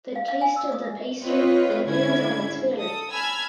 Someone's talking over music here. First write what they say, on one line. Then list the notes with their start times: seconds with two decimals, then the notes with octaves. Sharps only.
The taste of the pastry depends on its filling.
0.16 F5
0.28 F5
0.41 G#5
0.56 E6
0.72 D#6
1.20 C4 F4 B4 C#5 D#5
1.85 G#2 D3 C#4 E4 G#6
2.77 A4 D#6
3.11 G#5 A5 B5 E6 F6 G#6